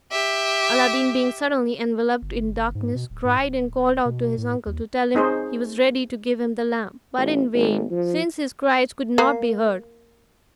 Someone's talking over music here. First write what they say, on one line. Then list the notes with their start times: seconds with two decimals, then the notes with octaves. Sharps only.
Aladdin being suddenly enveloped in darkness, cried, and called out to his uncle to tell him he was ready to give him the lamp; but in vain, since his cries could not be heard.
0.12 G4 E5
2.22 G1
2.75 G#2
2.95 B2
3.10 D1
3.25 G#2
3.38 D1
4.05 B2
4.38 A2
4.66 D#2
5.15 C4 D#4 G#4 C5 C#5
7.17 A1
7.55 G#1
7.90 F3
9.18 A#3